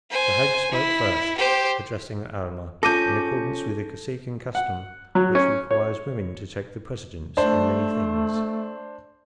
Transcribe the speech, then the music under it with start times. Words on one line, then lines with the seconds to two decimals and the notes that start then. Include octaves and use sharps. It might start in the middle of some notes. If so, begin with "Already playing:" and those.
The hag spoke first, addressing Almah, in accordance with the Kosekin custom, which requires women to take the precedence in many things.
0.11 C5 G#5
0.71 E4
1.38 G4 C5
2.83 F3 C#4 A4 D6 G6 A#6 D#7
4.55 F#5
5.15 F#3
5.35 C#4
5.71 C#5
7.37 A3 D4 C5